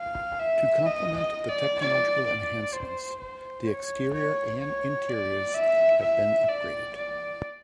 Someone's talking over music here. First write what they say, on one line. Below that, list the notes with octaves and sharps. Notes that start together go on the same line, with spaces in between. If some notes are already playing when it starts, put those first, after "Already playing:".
To complement the technological enhancements, the exterior and interiors have been upgraded.
Already playing: F5
E5
D#5
D#5
D5
D5
D5
C5
C5
C#5
C#5
C#5
D5
E5
E5
D5
D5